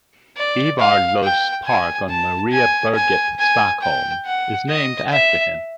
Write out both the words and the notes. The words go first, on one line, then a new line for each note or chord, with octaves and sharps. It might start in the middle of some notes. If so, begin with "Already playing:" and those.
Ivar Los park on Mariaberget, Stockholm is named after him.
D5
F5
G5
G#5
A5
G#5
G#5
G#5
G5
F#5
D#5
E5